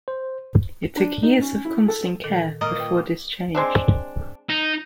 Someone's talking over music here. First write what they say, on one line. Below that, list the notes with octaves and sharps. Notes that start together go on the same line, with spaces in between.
It took years of constant care before this changed.
C5
D4
D#4
C#4
E4
A4
A#2 D#3 A4
A#2 D#5 A#5 F6
B4 G5
G#3 C4 D4
D#4